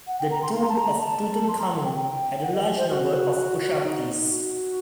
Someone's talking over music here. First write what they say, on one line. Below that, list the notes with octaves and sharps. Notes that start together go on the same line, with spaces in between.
The tomb of Tutankhamun had a large number of ushabtis.
F#5
G5
A#5
C6
C6
A#5
A5
A#5
A5
C6
A#5
G5
G5
F#5
D#5
C5
F#4
F#4
D#4
F#4